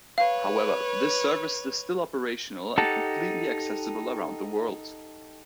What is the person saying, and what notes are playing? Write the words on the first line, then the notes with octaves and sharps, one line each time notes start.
However, the service is still operational and completely accessible around the world.
B4 C#5 F5
D#4 G4 A4 F#5 A5